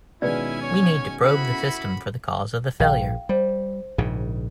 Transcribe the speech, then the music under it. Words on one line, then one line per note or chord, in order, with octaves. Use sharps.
We need to probe the system for the cause of the failure.
B2 D#3 G#3 C#4 E4 B4 D5 G#5
C#5
C#4 E4 F#4 A4 C5 B5
A#1 F5 G5
G3 C5
A#1 G#2 C#3